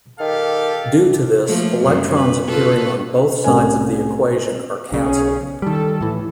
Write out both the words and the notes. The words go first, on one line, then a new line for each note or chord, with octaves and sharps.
Due to this, electrons appearing on both sides of the equation are canceled.
D#3 G4 A4 F5
F3 A3 A#3
F#2 G3
B4
F4 A4 B4
C2 A2 C#4 A#4 G#5
B1 C#3 C#4 G#4
D#3 G3 A4
A2 E3